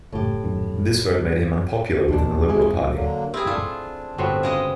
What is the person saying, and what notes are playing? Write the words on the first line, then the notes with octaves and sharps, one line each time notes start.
This vote made him unpopular within the Liberal Party.
F#1 A2 G4
D#1 F#2 D#3
G2
G#1 E2 A#2 G#3 D4
G#2 C3 E3 G#3 G#4
D3 F#3 A#3
C4 E4 G4 G#4 A#4 E5
D4 E4 F4 A4
G1 A2 B3 C4 F#4 C5 C#5
C#3 G#3 D#5